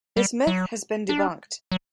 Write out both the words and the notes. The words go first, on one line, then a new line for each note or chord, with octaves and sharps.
This myth has been debunked.
G3
F#3
D4
F#3